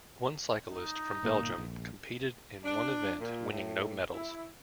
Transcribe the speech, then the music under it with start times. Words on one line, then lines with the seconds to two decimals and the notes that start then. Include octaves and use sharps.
One cyclist from Belgium competed in one event, winning no medals.
0.71 D#4
1.23 G1 A#2 A#3
1.58 A#1
2.64 D4
3.20 A#2
3.51 A2
4.13 E4